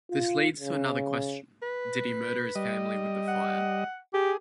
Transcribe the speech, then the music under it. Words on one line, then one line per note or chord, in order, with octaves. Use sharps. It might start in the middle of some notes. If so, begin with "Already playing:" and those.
This leads to another question: did he murder his family with the fire?
F4
C#3
B4
G3 D#5
F#5
G4 G#4